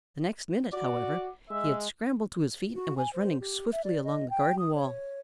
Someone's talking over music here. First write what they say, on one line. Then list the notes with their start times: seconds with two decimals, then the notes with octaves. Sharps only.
The next minute, however, he had scrambled to his feet and was running swiftly along the garden wall.
0.73 F#4 D5
1.50 G#3 E5
2.74 F#4
2.97 G#5
3.13 C5
3.40 G4
3.72 E5
3.84 D5
4.04 D#5
4.30 G5
4.59 D#6
4.75 C#5